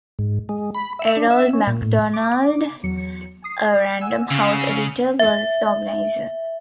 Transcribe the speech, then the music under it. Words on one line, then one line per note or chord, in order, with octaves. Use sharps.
Erroll McDonald, a Random House editor, was the organizer.
G#2
G#3
B5
E5
D4
E5
C#4
A#2
A2
D6
E2 F#3 C#7
D#6 C7
F#5 G#5 E6
C#3
E5